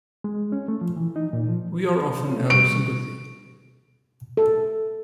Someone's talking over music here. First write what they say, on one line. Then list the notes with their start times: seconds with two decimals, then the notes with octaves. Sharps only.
We are often out of sympathy.
0.24 G#3
0.52 C#4
0.68 A3
0.81 F3
0.96 E3
1.16 D#4
1.33 A#2
1.48 F3
2.25 C#4 F4
2.36 A3 C#4
2.50 B2 G3 C#6 D7
4.37 A4